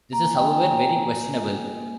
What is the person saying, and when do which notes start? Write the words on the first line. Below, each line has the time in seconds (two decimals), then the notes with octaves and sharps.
This is, however, very questionable.
0.12 A#3 A#5
0.24 G#5
0.35 G5
0.46 G#5
0.55 F4
0.96 A#3
1.39 F4
1.81 A#3